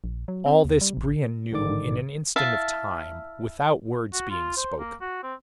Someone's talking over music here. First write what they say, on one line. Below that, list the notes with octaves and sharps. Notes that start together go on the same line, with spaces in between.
All this Brion knew in an instant of time, without words being spoken.
A#1
F#3
C4
D#2
G3
A1
A1 G#2 D3 D#3 D5 D6
E4 E5 F5 A5
F#4
F4
C5
A#3
F#4
C4